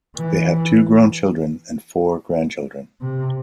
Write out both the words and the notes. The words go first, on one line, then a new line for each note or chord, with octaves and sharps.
They have two grown children and four grandchildren.
E3
C3